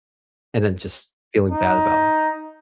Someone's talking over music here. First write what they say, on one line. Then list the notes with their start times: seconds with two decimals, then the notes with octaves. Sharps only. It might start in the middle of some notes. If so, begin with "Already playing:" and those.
and then just feeling bad about it.
1.51 D#4